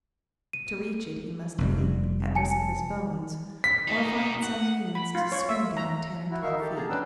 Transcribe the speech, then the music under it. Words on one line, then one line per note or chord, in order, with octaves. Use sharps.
To reach it he must leap, at risk of his bones, or find some means to swing down ten or twelve feet.
D#7
F1 F2 G3
G#5 A5 C#7
B6
B2 D#4
F#5
B5
F4
C#5
E5
A#5
E4 F#4
D#4 A#4 E5 F5 C#6
G4 A4
G#4 A5 A#5
C#4 D4 B4 F#5 G5 E6